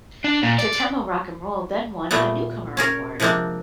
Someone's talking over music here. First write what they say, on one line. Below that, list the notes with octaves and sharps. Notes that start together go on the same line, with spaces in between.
Tottemo Rock 'n' Roll then won a newcomer award.
D4
A#2
D5
A#2 G3 A3 B3
C#4 G#4 A#4 C#5
C3 F3 G#3 A#3 C4 D4